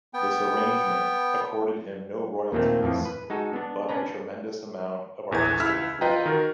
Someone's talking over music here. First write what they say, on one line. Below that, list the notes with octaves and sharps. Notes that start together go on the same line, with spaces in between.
This arrangement accorded him no royalties, but a tremendous amount of artistic freedom.
B3 G5
D#2 A#2 D#3 A3 A#3 C4
F2 A2 E3 F3
B4
G#3 D#4 F#4 A4
B3 D4
C#4 D4 B4 A#5
A#1 E2 E3 G#6
C#2 E4 E6 F6 B6
F4 B4 D#5 G5 A#5
D#3 F#4 A#4